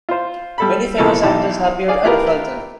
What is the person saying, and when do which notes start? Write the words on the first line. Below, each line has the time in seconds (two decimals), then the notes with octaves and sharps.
Many famous actors have appeared at the Fulton.
0.09 F4 C5
0.58 G3 A4 B5
0.98 B1 A2 C#3 F3 A#3 A4
1.23 B1 E3 D#4 G4 A5
1.88 G#4 D5 F5
2.03 A3 E4 F4 G4 A#4 B4